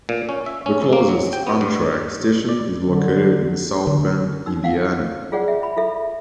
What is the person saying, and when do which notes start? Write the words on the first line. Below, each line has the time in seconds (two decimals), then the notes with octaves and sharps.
The closest Amtrak station is located in South Bend, Indiana.
0.09 A#2
0.29 C#4
0.46 E5
0.66 C#4
0.82 F2
0.93 A#3
1.08 F#3
1.33 G5
1.47 B3
1.61 G2
2.49 D5
2.87 D3 F#3
3.87 D3
4.46 D#4 E6
4.64 F5 F#5
5.32 F4 G#4 C#5 D5 F#5
5.48 E5
5.63 B5
5.77 F4 A4 E5